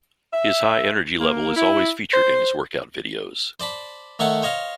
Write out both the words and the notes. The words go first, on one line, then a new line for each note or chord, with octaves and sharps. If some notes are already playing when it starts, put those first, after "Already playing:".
His high energy level is always featured in his workout videos.
E5
A#3
E4
C5
C5 D5 A5 B5
D#3 A3 C#5 F#5 A5
C5 C#5 D#5 F5